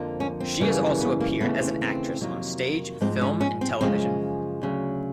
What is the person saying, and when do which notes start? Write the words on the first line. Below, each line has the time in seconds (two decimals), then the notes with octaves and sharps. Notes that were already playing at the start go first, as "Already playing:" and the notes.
She has also appeared as an actress on stage, film and television.
Already playing: F2 D3 F3 A#3
0.20 C#4
0.40 C4
0.60 F#2 C#3 E3 G3 A#3
1.01 B3
1.20 A#3
1.41 D#2 C#3 E3 A3 B3
1.61 C4
1.81 C4
2.21 F2 C3 D#3 F#3 A#3
3.01 G#2 F3 G#3 C4
3.21 C#4
3.41 C#4
3.61 C4
3.81 F#2 C#3 F3 G#3 C4
4.62 D2 C#3 F#3